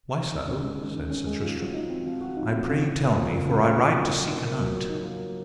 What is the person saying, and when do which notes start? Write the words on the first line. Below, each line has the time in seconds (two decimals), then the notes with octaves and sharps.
Why so? said Sir Tristram; I pray you tell me, for I ride to seek a knight.
0.17 D#3
0.32 D#3
0.48 C#4
0.63 G#3
0.78 D#3
0.94 D#3
1.10 C#4
1.27 G#3
1.42 F3
1.58 F#4
1.74 D#4
1.89 C4
2.06 F3
2.21 F#4
2.37 D#4
2.52 C4
2.68 C#3
2.84 C#3
3.00 A#3
3.15 F3
3.31 C#3
3.47 C#3
3.63 A#3
3.79 F3
3.94 F#3
4.10 F#3
4.26 D#4
4.42 A#3
4.58 F#3
4.73 F#3
4.89 D#4
5.04 A#3